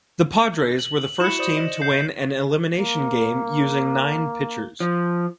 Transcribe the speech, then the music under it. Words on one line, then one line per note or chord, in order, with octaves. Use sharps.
The Padres were the first team to win an elimination game using nine pitchers.
F#7
E4 F#4 B5 C#7 E7
C5 D5 D#6
D#5
G6 C7
A#3
F3